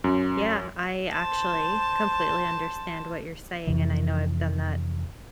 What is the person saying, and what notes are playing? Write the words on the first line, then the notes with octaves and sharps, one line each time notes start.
Yeah, I actually completely understand what you're saying, and I know I've done that
F#2
C5 A5
F2 C3 E3